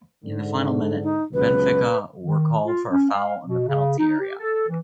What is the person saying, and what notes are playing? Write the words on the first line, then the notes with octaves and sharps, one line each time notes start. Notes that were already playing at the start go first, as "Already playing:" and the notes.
In the final minute, Benfica were called for a foul in the penalty area.
G#2 D3
D#4
C#2 F#2 B2 B4
D#3
F4
C#4
F5
B2
C#3
D#4
G4
A4
E3